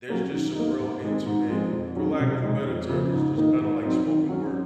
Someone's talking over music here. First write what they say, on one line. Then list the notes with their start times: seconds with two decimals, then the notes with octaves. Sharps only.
There's just some real intimate for lack of a better term, it's just kinda like spoken word.
0.08 F#3 A#3 C#4
0.32 D#3
0.56 A#3 D#4
0.79 G#2
1.03 D#3 G#3 C4
1.26 G#2
1.49 F3 G#3 C4
1.73 F2
1.95 D#3 F#3 C#4
2.20 C3
2.43 D#3 G#3 D#4
2.66 F2
2.89 C#3 F3 A#3
3.12 G#2
3.36 D#3 A#3 D#4
3.60 G#2
3.82 F#3 C4 D#4
4.06 D#3
4.29 F#3 C#4